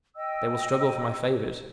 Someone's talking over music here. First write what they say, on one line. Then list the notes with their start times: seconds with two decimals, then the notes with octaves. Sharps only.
They will struggle for my favors.
0.16 D#5 G5 E6